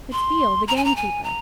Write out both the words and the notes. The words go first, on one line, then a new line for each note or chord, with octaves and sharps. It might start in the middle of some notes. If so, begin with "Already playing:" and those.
It's Beale the gamekeeper.
C6
A#5
G#5
A#5
G#5
A#5